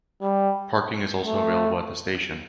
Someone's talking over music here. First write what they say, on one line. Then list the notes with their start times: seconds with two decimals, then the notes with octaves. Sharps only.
Parking is also available at the station.
0.21 G3
1.26 A3